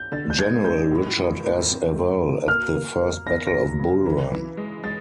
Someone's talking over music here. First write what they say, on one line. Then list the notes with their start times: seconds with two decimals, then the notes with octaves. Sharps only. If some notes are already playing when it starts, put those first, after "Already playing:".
General Richard S. Ewell at the First Battle of Bull Run.
Already playing: G6
0.12 D3 A6
0.30 G6
0.38 G#3 G#6
0.64 G#3 G6
0.91 A2
1.17 F3
1.43 A#3
1.70 C4
1.96 A3
2.22 F#3
2.48 A#3 F6
2.74 A#3
3.01 A#3
3.27 B3 A#6
3.47 A#6
3.53 F#3
3.79 C#3
4.06 E3
4.32 E3
4.57 G#3
4.83 G#3 A6